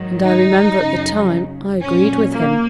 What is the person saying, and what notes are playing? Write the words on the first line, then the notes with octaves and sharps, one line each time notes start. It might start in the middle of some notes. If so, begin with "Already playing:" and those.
And I remember at the time I agreed with him.'
Already playing: G#2 D#3 F#3
D#4
F#2 C#3 F#3
A#2 F#3 C#4
A#3